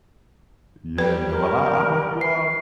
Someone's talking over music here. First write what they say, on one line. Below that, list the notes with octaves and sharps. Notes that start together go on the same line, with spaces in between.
Yeah, man. Well, I I hope you all
G3 B4 G5
A#4
C7